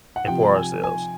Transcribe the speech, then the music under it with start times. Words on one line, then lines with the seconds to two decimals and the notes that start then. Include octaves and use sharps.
and for ourselves.
0.16 F#5
0.27 C3 F3 G5
0.56 G#5
0.84 G#5